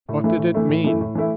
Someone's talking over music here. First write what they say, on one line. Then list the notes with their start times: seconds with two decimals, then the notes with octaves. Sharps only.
What did it mean?
0.09 A2
0.24 E3 A3 E4
0.38 A2
0.54 E3 A3 E4
0.69 A2
0.84 E3 A3 E4
1.01 A2
1.15 E3 A3 E4